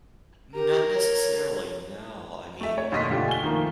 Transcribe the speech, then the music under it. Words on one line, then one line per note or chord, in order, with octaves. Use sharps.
Not necessarily, no, I mean,
G4 A#4
C#5
A3 E5
C#5
D#2 B2 A3 D#5 C6 B6
B2 D3 F4 G4
G#5 G7
D#3 F3 A3 A#3